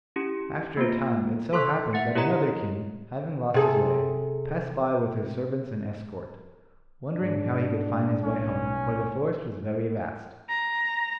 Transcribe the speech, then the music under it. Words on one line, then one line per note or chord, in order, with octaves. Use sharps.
After a time it so happened that another King, having lost his way, passed by with his servants and escort, wondering how he could find his way home, for the forest was very vast.
C#4 E4 G4
A#3 B3 F4
A4 C6 C#6 E6 F#6 B6
E5 F#5 A6 C#7
E4 G4 A#4 C#5 D#5 A#5
C3 G#4 A4
G#2 D4
B1 C#4
A#5